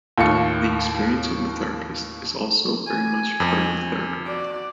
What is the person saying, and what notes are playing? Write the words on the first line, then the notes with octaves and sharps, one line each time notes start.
The experience of the therapist is also very much part of the therapy.
D#2 A2 F4 C#7
G#5
F2
F#4 D5